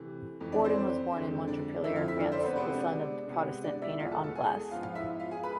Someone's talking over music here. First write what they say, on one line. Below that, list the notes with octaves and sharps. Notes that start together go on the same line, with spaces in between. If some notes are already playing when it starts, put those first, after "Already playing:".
Bourdon was born in Montpellier, France, the son of a Protestant painter on glass.
Already playing: C3 E3 A3
F2 E3 A3
D4 D5
C4 C5
F2 D3 G#3
D4 D5
F2 D3 F3 A3 E4 E5
F4 F5
E4 E5
D4 D5
C4 C5
A4
B3 B4
C3 G#3 B3 C4 C5
D4 D5
C3 G#3 B3
D4 D5
E4 E5
E2 B2 G#3 B3 F4 F5
A4 A5
A4 A5
G#4 G#5
G#2 F3 B3 F4 F5
F4 F5
E4 E5
F4 F5
G#4 G#5
G#3 B4 B5